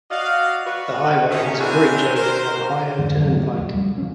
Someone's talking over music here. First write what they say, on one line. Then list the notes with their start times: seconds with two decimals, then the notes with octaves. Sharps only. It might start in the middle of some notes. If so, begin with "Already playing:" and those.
The highway has a bridge over the Ohio Turnpike.
0.10 F#4 D5 D#5 F5
0.66 F#4 B4
1.30 D#3 A3 C#4
1.60 C4 D4 E4 F#4 A#4 G#5
2.15 A#4 C5
2.99 F2 G#2 D3 E3
3.18 D3 D#3 F3 F#3
3.37 F3 A3
3.58 D#1 B1
3.74 G3
3.98 F3 C#4